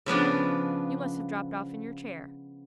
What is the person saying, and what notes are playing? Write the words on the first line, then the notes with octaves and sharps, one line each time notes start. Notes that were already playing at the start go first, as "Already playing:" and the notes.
You must have dropped off in your chair.'
C#3 F3 B3 D4